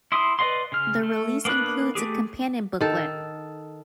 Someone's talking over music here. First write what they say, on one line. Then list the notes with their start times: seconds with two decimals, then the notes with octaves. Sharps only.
The release includes a companion booklet.
0.12 E4 C6 D#6
0.39 B4 D5 D#5 F5 C6
0.72 C#3 F6
1.03 A3
1.45 A#3 B3 D4 B5 F#6
1.95 A3 C4 G4 G#4
2.81 D#3 A4